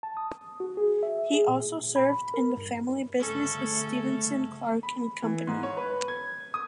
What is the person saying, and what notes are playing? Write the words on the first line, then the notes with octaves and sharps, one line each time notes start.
He also served in the family business of Stephenson Clarke and Company.
A5
D#6
F#4
G#4
E5
G#4
A#2
B5
A#4
G2
G1 C#3 A3 C#4 A4
B5
E3
G#2
C#5
B4
G#6
D#6